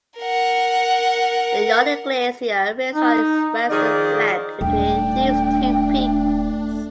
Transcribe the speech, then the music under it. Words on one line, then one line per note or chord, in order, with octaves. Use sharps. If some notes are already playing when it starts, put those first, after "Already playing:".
The Yawning Glacier rests on its western flank between these two peaks.
A#4 F#5
D#4
D#3 F3 D#4 G#4 D5
D#1 A3 D4 G5